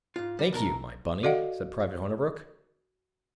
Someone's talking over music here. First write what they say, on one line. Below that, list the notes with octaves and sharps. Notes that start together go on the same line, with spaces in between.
"Thank you, my bunny," said Private Hornabrook.
G#2 F4
G3
B1 E2 A4 A#4
F#4 A4 D5 D#5 F5 F#5